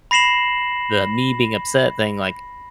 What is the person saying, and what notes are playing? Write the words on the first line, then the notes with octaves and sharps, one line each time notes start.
the me-being-upset thing, like,
B5 A#6 C7 E7 F#7